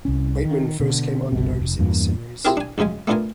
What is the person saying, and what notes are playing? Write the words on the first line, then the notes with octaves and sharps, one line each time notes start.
Weightman first came under notice in this series.
C2 C#4
D#3
B2 D3
G1 C2 B2
F1
E2 G2 A#3 D4
C4 E4 F4 G4 G#4 A#4
D4 G#5
A#1 F#2 C#3 G#3 G#5
A3 B3 D4 F4 A#4 G#5